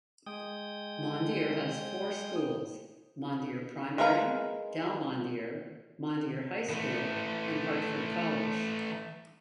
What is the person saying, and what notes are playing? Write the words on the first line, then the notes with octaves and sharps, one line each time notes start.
Mondeor has four schools; Mondeor Primary, Dalmondeor, Mondeor High School and Hartford College.
G#3 G5 D#6
G#3 A#4 B4 F5 A#5
E3 A3